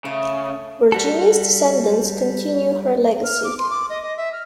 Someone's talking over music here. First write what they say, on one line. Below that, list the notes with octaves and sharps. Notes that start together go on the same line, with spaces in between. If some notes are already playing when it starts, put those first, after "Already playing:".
Virginia's descendants continue her legacy.
C#3 A3
G3 F#4 A4
F6
D6
C6
D6
D#5
D#5
E5
F6